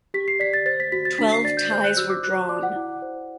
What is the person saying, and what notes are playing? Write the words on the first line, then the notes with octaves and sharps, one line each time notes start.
Twelve ties were drawn.
G4 B6
C7
D5 B6
A6
C5 A6
B6
F#4 B6
A6
D4 B6
C7
D5 A6
G6
C5 G6
F#6
F#4 E6
D6
F#4 F#6
D5 D6
F#5
E4
C5